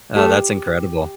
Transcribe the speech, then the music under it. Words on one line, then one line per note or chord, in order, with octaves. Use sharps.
Oh, that's incredible.
A3 G4